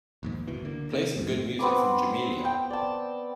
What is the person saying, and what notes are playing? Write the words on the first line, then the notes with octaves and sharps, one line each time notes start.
Play some good music from Jamelia.
A#1 D#2 G#2
G1 C#2 B2 E3
D3 A#3
C3 D#3
C2 F2 B2
A1 F#2 A2 A3
B3 C4 B4 D6
G5
D5 A5